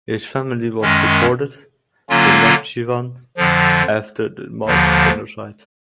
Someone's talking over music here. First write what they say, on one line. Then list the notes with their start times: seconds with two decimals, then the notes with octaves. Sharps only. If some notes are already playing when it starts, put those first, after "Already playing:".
His family was deported to Nakhchivan after the March genocide.
0.81 F#2 D#3 G#3 C#4
2.10 D3 F#3 A#3 C#4 F4
3.37 F2 D3 F3
4.66 D#2 D3 F3